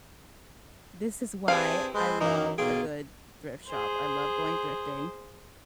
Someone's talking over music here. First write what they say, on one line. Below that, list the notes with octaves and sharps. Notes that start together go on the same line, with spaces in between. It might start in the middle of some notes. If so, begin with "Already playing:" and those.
this is why I love a good thrift shop, I love going thrifting,
C4 D4 E4 G4 G#4 B4 F5
G#3 C4 B4 G#5
F#2 E3 A#3 D#4
B1 A#3 F4 G#4 G5
G#4 C5